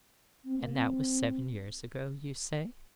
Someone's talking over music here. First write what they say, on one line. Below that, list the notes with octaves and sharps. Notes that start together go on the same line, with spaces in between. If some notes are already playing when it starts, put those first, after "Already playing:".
'And that was seven years ago, you say?'
C4
A#3
C4